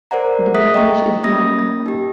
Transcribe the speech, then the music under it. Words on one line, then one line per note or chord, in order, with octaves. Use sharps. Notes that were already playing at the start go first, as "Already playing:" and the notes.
The "Bekishe" is black.
A#4 C5 D5 F#5 A#5
A3 G#4 E5 D#6 F#6 B6
D#5 G5 A#5 C#6
A#3 C#4 D#6 A#6
D#4 G4